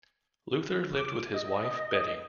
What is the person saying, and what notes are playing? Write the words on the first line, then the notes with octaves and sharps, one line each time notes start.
Luther lived with his wife, Betty.
D6
D#5